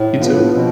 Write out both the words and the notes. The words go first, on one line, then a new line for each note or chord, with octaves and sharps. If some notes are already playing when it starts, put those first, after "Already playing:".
You, too.
Already playing: A2
F3 B3 D4 F4
B2 F3 C4